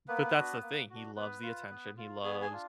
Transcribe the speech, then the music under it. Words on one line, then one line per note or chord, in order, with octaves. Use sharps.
but that's the thing, he loves the attention, he loves
A#3 B3 B4
D4 F#4
A#3
D4 F#4
B3 B4
F4
B3
F4
B3 G#4 G#5
G#4 G#5
D4 F4